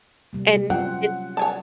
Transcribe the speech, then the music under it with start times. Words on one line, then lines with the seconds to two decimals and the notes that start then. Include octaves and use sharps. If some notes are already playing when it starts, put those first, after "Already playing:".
And it's
0.33 C3 G3 A#3
0.55 C3
0.70 F#3 C4 C#4 F4 F#5
1.37 C#5 G#5 A5